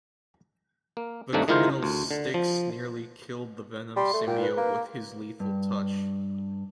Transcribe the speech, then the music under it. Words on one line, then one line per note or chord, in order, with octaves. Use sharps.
The criminal Styx nearly killed the Venom symbiote with his lethal touch.
A#3
G2 C3 D#3 A3 A#3 D4
D#3 G#3 E4 F4 A#4 C5
D2
D3
F3
G3 C6
A3
A#2 G5
B4
A#3
G2